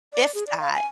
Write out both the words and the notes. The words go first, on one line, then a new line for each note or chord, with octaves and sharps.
If that
D5
G#4
D5
F5
G#5